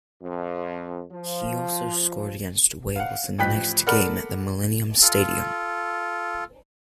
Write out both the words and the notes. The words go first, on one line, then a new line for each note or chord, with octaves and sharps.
He also scored against Wales in the next game at the Millennium Stadium.
F2
F3
F5 F#5
A1 F3 G5 F#6 B6
A4 A#4 D5 F#5 B5 F6
F4 A4